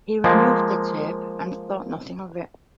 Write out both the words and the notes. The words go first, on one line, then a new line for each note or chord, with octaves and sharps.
He removed the tape, and thought nothing of it.
F3 G#3 A#3